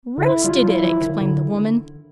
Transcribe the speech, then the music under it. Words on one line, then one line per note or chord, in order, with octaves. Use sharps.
'Roasted it!' explained the woman.
D3 E4
G3 F4
F#3
E4
F3
D#3
D3